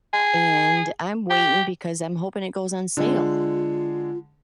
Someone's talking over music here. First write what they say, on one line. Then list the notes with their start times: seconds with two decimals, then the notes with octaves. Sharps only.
and I'm waiting because I'm hoping it goes on sale,
0.13 G#4
1.30 G4
2.97 D3 G#3 F4